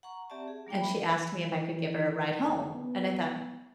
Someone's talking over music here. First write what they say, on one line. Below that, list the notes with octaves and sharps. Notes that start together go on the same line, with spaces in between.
and she asked me if I could give her a ride home, and I thought,
F#5 A#5 C#6
C4 G4 D5 E5 A5
G#4
F#3 A#3 D4 G5
E5 B5
E3
F#1
B3